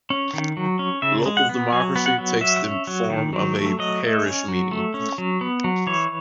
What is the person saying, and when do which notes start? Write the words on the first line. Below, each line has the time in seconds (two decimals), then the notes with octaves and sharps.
Local democracy takes the form of a Parish Meeting.
0.10 C#4
0.34 D#3
0.57 F#3
0.79 C#4
1.02 C#3 E5
1.26 G#3
1.37 F#5
1.49 B3
1.72 F#3 G#5
1.96 B3
2.06 F#5
2.18 F#3
2.41 F#3 E5
2.64 C#4
2.87 F#3
3.10 D#3
3.33 F#3
3.56 A3
3.79 F#3 D#5
4.03 A3
4.26 C#4
4.48 F#3
4.72 A3
4.94 C#4
5.18 F#3
5.41 B3
5.64 F#3
5.87 E3 C#5